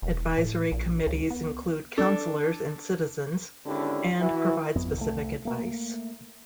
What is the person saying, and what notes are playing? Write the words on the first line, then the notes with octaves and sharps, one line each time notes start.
Advisory committees include Councillors and citizens, and provide specific advice.
E1
A2
A#1
C#2
B3
D4 A4
G#1 D3 C#4 D4 E4 G4
E3 E4 F#4
G#1 F2 B3
C2 A3
A3 A#3